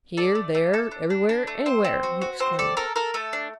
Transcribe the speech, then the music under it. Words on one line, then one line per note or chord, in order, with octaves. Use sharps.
"Here, there, everywhere, anywhere!" he exclaimed.
A4 D5
A3
A3
A4
D4
D4
D4
A3
C4 C5
C4
F#4
F#4
C4 C5
A4 D5
A4 A#4
A4 A#4
A3 A4
D4